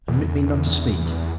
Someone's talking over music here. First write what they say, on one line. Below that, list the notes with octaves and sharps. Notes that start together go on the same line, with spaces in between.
Permit me not to speak.
E2